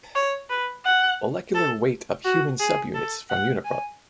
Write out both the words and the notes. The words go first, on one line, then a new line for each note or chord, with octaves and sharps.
Molecular weight of human subunits from Uniprot.
C#5
B4
F#5
A4
F#4
G#4
A4
F#5
G#5